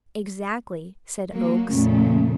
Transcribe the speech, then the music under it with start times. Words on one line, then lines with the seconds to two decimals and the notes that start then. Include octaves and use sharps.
"Exactly," said Oakes.
1.33 F#3 A#3
1.71 F2 A#2 C#3 A3